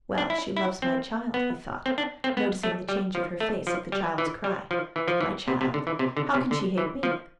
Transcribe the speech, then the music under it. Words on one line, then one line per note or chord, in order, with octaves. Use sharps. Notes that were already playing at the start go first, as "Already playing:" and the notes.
"Well, she loves my child," he thought, noticing the change of her face at the child's cry, "my child: how can she hate me?"
D4
E4
E4
C4
B3
C4
D4
C4
B3
A3
G3
F3
A3
F3
G3
E3
G3
F3
E3
F3
E3
C3
C3
D3
E3
C3
D3
C3
D3
E3
F3